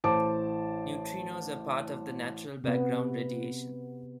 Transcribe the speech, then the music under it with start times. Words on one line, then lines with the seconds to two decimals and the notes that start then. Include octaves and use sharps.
Neutrinos are part of the natural background radiation.
0.04 A1 C5 A5 D6
2.64 C3 B3